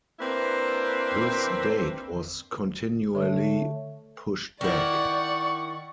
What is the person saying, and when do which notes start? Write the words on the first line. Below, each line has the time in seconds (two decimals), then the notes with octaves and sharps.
This date was continually pushed back.
0.20 A#3 C4 D4 E4 A#4 B4
3.15 D3 A3 C#5
4.61 D#3 E4 D5 F#5 C#6